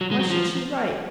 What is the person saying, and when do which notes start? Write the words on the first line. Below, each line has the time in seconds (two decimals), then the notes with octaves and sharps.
Why should she write?
0.01 F#3
0.12 G#3
0.20 F#3
0.30 F3